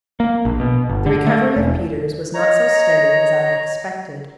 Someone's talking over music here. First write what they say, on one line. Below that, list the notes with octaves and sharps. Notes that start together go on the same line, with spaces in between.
The recovery of Peters was not so steady as I had expected.
A#3
A#1
B2
G1
D3
A3
E1
C#5 D#5 A#5